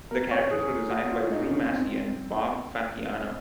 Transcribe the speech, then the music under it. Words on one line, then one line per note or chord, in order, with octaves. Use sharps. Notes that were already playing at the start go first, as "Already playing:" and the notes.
The characters were designed by Drew Massey and Bob Fappiano.
A#4
C#5
G#4
F#4
F4
D#4
C#4
C4